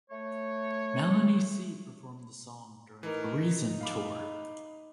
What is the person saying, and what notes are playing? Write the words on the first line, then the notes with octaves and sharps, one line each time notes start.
Melanie C performed the song during the Reason Tour.
A3 C#5
E3 D#4 A#4
D#4
F5 B5 D6